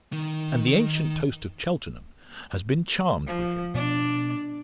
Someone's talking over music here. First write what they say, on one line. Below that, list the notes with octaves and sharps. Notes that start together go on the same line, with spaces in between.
And the ancient toast of Cheltenham has been charmed with him.
D#3
F3
B2 B3 D4 D5